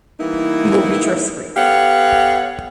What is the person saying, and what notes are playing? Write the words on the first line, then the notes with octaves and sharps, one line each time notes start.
We will reach our spring.
E3 G3 A#3 B3 D#4 E4
B3 G4 A4 C#5 F5 F#5